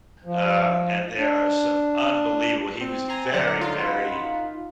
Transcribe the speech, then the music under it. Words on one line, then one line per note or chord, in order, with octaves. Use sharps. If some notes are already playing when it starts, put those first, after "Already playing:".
um, and there are some unbelievable he was very, very
F3
D4
C4
G#5 A#5 C6
D3 F#3 D5 F#5
D#4 F4
F#2 F#5 B5